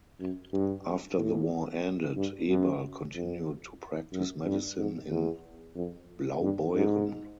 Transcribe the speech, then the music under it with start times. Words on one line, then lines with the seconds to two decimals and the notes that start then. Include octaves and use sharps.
After the war ended, Eberl continued to practise medicine in Blaubeuren.
0.21 F#2
0.53 G2
1.18 A2
2.17 G2
2.49 F#2
3.15 F2
4.13 F#2
4.46 G2
4.78 G#2
5.11 E2
5.76 F2
6.42 G2
6.75 G#2